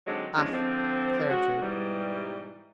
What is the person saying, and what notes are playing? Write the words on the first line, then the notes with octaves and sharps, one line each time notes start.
"Ah!" Clara drooped.
D3 F#3 G#3 C4 D#4
E2 F3 G#3 C#4 D4
D3 F3 C4
G#3 C#4 F#4
G#2 B2 E3 G3